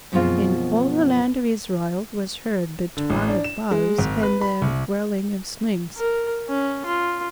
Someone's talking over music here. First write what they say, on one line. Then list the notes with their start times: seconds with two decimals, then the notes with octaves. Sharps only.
In all the land of Israel was heard the twang of bows and the whirling of slings.
0.12 F#2 B2 F3 G#3 C4 F4
2.97 D3
3.10 A1
3.28 D4
3.44 E7
3.71 G#3
3.98 G#1
4.23 B4
4.41 B5
4.62 C2
5.97 A#4
6.49 C#4
6.86 F4